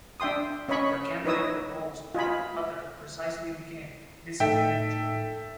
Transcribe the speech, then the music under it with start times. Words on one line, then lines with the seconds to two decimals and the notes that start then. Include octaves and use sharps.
The candidate proposed by the author precisely became this individual.
0.20 D4 E5 G5 C6 D#6
0.68 C#4 C#5 D#5 B5 C#6
1.24 D#4 E4 B4 C#5 D#6 E6
2.15 F4 D#5 G#5 B5
4.40 A2 D#4 A4 E5 G5